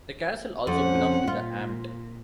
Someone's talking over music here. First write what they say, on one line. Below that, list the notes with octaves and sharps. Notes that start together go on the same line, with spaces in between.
The castle also belonged to the "Amt".
F2 C#4 F#5
A#2 F4